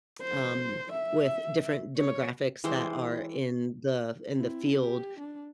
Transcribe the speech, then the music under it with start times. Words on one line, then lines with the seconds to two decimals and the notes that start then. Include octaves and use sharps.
um, with different demographics that are in the in the field
0.21 C5
0.92 E5
1.97 C#5
2.64 E3 G3 G#3 C5
4.37 C4 E4
4.80 G4
5.20 D4